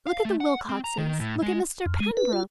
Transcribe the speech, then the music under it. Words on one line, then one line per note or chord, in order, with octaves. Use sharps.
Look at the Wilcoxes, look at Mr. Pembroke.
F5
A3
F#5
C4
A#5
D#3
A2
G#3
F2
G#3
B4
F4